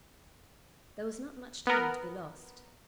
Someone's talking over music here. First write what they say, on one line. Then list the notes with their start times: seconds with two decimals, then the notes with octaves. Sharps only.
There was not much time to be lost.
1.67 B3 A#4